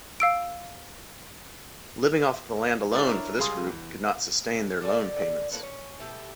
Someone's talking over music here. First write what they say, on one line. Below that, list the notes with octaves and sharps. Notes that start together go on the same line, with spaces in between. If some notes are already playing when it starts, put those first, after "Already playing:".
Living off the land alone for this group could not sustain their loan payments.
F5 E6 D7
G#3 D#4 G4 A#4 D5 A6
D4 E4 A#4 C#5
C#2 G3 G#4 F5 C6 D#6
E2
C#3
D4 A4 D5 G#5
D3 D5
A2 A#3 A4 B4
C#4
B2 E4 G4 A4